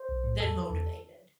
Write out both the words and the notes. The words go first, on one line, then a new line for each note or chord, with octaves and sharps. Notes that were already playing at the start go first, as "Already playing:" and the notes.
than motivated?
Already playing: C5
B1
A2
E2 A4
F3
E2